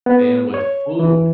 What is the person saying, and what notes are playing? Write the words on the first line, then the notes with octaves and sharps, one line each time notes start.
paying with food,
B3
C#5
E3